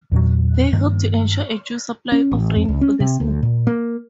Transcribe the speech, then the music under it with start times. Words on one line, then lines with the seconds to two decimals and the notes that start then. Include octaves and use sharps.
They hoped to ensure a due supply of rain for the seed.
0.12 E2 A#2 F#3
0.72 G2 D#3 A#3
2.12 C#4
2.32 A1
2.56 F2
2.68 C#2
2.81 C#4
3.00 C3
3.20 D2
3.43 A#2
3.67 A#3